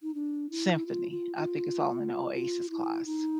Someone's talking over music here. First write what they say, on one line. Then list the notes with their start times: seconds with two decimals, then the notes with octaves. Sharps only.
Symphony, I think it's all in the Oasis class.
0.03 D#4
0.15 D4
0.50 E4
0.86 F4
1.11 F4
1.36 F4
2.34 F4
2.70 E4
3.06 D#4